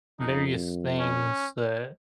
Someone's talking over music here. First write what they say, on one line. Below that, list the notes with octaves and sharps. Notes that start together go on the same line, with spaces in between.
various things that
F2 D#4
C#4